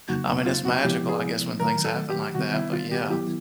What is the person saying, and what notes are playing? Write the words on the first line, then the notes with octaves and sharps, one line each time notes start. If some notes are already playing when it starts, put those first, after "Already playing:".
I mean, it's magical, I guess, when things happen like that, but, yeah.
F2 C#3 F#3 A#3 D#4 F#4
F4
F#4
C3 F3 G#3 B3 E4 G4
G#4
D#3 F#3 A3 A#4
A4
G4
C3 D#3 G3 B3 F#4
E4
F4
G4
D#3 F#3 B3 E4 G4